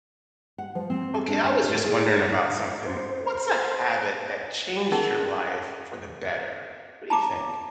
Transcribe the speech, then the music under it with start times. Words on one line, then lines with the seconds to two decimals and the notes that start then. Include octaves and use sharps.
Okay, I was just wondering about something. What's a habit that changed your life for the better? What do you think?
0.58 F#5
0.75 F3
0.90 C4
1.14 A4
1.28 D4
1.44 G#5
1.68 A2
1.84 G#4
2.86 C5
4.92 C#4 D#4 G#4 A#4 F#5
7.10 A5 A#5 D6